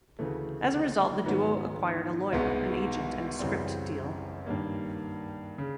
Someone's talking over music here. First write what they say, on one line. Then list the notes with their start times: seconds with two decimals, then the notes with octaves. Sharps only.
As a result, the duo acquired a lawyer, an agent, and a script deal.
0.19 D2 C#3 E3 A3
1.25 G#2 D#3 F#3 B3
2.32 C2 B2 G#3 B3 D#4
3.39 F#2 C#3 E3 G3 C4
4.46 G2 D#3 G3 A#3
5.58 C#3